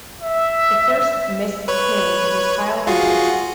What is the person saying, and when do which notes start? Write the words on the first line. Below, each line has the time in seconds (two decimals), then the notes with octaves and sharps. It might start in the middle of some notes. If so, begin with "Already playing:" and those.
The first Mist's name was Kyle Nimbus.
0.21 E5
1.68 B4 C#5
2.87 F4 F#4 G#4